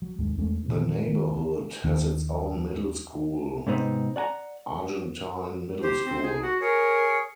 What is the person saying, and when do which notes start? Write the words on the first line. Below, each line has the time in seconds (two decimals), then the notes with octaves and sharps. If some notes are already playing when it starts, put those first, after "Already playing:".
The neighborhood has its own middle school, Argentine Middle School.
0.02 F#3
0.19 D#2 G#2 D#3 G#3
0.37 E2 G#3 A3 C#4
0.68 A#2 D3 D#3 A#3
1.07 D#3
1.84 D#2 D#3 A#3
3.67 G#2 C3 B3 C4 D#4
4.16 D5 F#5 G#5 A#5
5.82 G4 C5
6.05 C4
6.23 G#4
6.43 F#4 F#5
6.61 G#4 A#4 C#5